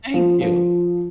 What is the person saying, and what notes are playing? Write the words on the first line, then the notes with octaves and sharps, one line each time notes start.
Thank you.
F3
F3